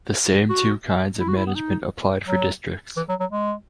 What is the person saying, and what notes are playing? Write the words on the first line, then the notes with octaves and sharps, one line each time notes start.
The same two kinds of management applied for districts.
F#4
E4
F#4
E4
B3
D#4
F#3
E3
F#3
F#3
G#3